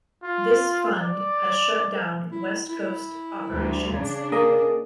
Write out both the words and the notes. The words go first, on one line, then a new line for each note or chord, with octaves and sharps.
This fund has shut down West Coast operations.
F4
D5
E4
E4
D2 G3
C#3 D4
A#3 G#4 D#5